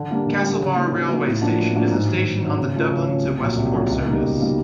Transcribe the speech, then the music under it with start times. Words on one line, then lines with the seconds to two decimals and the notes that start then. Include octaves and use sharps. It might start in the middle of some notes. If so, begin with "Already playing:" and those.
Castlebar railway station is a station on the Dublin to Westport service.
Already playing: D3
0.10 G3 A#3 D4
0.26 D3
0.43 G3 A#3 D4
0.60 C#3
0.76 F#3 A#3 D#4 F#4
0.92 C#3
1.09 F#3 A#3 D#4 F#4
1.25 A2
1.42 F3 A#3 D4 F#4
1.58 A2
1.75 F3 A#3 D4 F#4
1.92 G#2
2.09 D#3 F#3
2.24 G#2
2.41 D#3 F#3
2.58 C#3
2.75 F#3 A3 C#4 F4
2.90 C#3
3.07 F#3 A3 C#4 F4
3.23 C2
3.41 A#2 F#3
3.57 C2
3.73 A#2 F#3
3.89 C#2
4.06 B2 G3 A#3 D#4
4.23 C#2
4.40 B2 G3 A#3 D#4